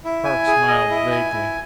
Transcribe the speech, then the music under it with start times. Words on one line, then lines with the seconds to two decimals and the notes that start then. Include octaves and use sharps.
Park smiled vaguely.
0.04 E4
0.25 G#5
0.47 G#4
0.68 D#5
0.90 E4
1.11 G#5
1.32 E4